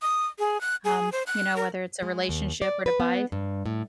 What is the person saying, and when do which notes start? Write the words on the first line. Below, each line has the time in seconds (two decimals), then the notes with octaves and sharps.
Um, you know, whether it's a relationship or to buy
0.02 D#6
0.39 G#4
0.61 F#6
0.85 G#4
1.12 C5
1.27 F#6
1.56 A#4
2.02 G#3
2.29 D#2
2.62 D5
2.86 B4
3.00 B3
3.32 G2
3.66 A2